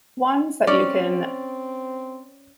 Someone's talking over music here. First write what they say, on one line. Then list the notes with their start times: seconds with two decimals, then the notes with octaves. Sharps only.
ones that you can
0.67 C4 C#4 D5